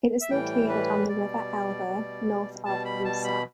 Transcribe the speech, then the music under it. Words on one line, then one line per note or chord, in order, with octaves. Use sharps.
It is located on the river Elbe, north of Riesa.
E5
A2 E3 G3 G5
B4
B2 G3 D5
B2 G3
B2 G3 A5
B5
A5
B5